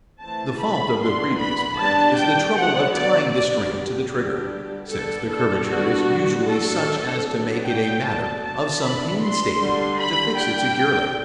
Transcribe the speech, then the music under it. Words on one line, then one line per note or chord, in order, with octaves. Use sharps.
The fault of the previous plan, is the trouble of tying the string to the trigger; since the curvature is usually such as to make it a matter of some painstaking to fix it securely.
E3 A3 C4 A5
B5
E3 B3 D4 C6
B5
G3 B3 D4 A5
G5
D3 F#3 B3 D4 F#5
D5
F#3 B3 D4 D5
G4
D3 G3 D4
G3 B3 D4 A4
A4
G3 B3 D4 F#4
F#3 A3 D4 A4
F#3 B3 D4 A4
G5
F#3 B3 D4 A5
A5
E3 B3 D4 B5
C6
D3 G3 D4
B5
G3 D4 G5